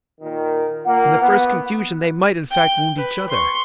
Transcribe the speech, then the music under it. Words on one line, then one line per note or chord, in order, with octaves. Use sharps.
In the first confusion, they might, in fact, wound each other.
A#2 D#3
A#2 A#3 F#5
B3
G5
B4
C6 C#6